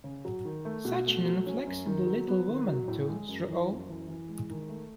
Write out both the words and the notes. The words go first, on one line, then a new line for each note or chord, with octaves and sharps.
Such an inflexible little woman, too, through all!
C#3
F#3
D#3
A3
B2
A3
F#3
C#4
F#2
D#3
F#3
B3
D#3
F#3
A2
G#3
F#2
E3
F#2
E3
E3
G#3
D#3
A3